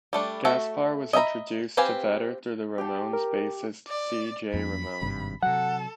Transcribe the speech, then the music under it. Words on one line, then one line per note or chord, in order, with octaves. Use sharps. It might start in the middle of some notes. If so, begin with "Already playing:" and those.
Gaspar was introduced to Vedder through Ramones bassist C. J. Ramone.
G3 A3 D4
A3 F#4 E5 A5
D#5 E5 G5 A#5 B5
C4 G4 B4 F5 G#5
G4 G5 A5
A#4
D5
F2 A#3 C#4 B5
G#1 G2 C3
C3 F#3 A4 F#5